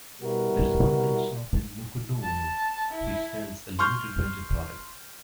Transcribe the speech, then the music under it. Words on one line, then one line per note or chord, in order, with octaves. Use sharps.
There is one main shop in Nukunonu which sells a limited range of products.
B2 G3 E4 F#4 A#4
A5
E4
C6 C#6 F6 G6